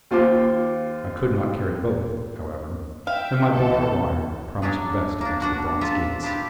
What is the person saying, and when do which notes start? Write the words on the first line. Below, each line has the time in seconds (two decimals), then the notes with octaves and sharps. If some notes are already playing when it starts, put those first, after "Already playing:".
I could not carry both, however, and my bar of iron promised best against the bronze gates.
0.11 D#2 F4 C5 F5 D6
3.07 E5 F5 G5
3.52 C#2 E3 A4
4.62 F#3 C#4 D4 G#4
5.21 A#3 D4
5.40 D4 F#4 F#5
5.81 A#2 F4 A4 C5 E5
6.22 D4 E4 F4 G4